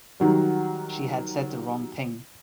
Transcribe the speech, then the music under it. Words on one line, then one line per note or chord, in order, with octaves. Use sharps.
She had said the wrong thing.
D#3 F#3 G3